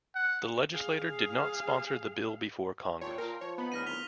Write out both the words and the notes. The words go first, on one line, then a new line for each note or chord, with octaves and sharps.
The legislator did not sponsor the bill before Congress.
F#5
G#4 F5
A#2 C#5 G5 A5 C6
A#2 A#4
F3 C#5
B3 D#4 B5
D1 F6 A#6 D#7
D#3 F4 B6 F7 G7